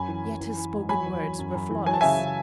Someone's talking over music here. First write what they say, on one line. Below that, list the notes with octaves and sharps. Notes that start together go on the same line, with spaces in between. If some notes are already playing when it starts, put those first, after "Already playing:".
Yet his spoken words were flawless.
Already playing: F#2 G#5 B5
E3
F#2
E3
E3
G#2
F#3 G#5 B5
E2
E2
F#2
F#2
E3
F#3 G#5
A5
C#3 E5 G#5
C#3